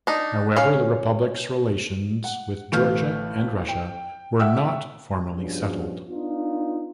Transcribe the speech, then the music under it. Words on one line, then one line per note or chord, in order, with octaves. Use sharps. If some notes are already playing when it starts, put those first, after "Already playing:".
However the republic's relations with Georgia and Russia were not formally settled.
D4 D#4
C#4 F5
F#5
A1 A3 B4 F5 F6 G6
G5
E5 F#5 G5 E6
A#1 G2 B2 F3 C#4 G#4
B3 D4 D#4 F4